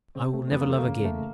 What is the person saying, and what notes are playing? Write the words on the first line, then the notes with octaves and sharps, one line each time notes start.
I will never love again.
C#3 C4
A3
C4
F2 B3
A#3
E3 A3
A#3
C#3
A3